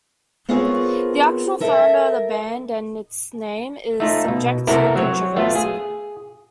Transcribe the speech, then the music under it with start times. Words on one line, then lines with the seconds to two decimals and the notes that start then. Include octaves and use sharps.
The actual founder of the band and its name is subject to controversy.
0.49 B3 C4 F4 G#4 A#4 C#5
1.60 A4 A#4 E5
4.00 A3 D#4 F4
4.28 B2
4.67 C3 A3 B3 E4 A4 A#4
4.96 F#3 C4 C#5
5.37 A3 B3 F4
5.55 G#4